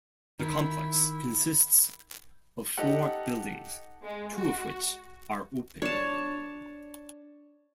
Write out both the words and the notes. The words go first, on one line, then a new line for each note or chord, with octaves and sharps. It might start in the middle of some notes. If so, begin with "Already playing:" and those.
The complex consists of four buildings, two of which are open.
D#3 E4
D#4 G4 A4 F#5
G#3
F#4
D4 C#5 A5